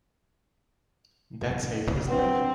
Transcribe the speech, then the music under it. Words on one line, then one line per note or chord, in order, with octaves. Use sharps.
That saved his life.
C4 D4 B4 F#5